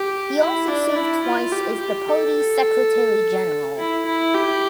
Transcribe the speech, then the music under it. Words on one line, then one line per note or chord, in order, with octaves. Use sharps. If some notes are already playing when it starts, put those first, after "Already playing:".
He also served twice as the party's secretary-general.
Already playing: G4
E4
D4
E4
F4
G4
G4
A4
E4
E4
G4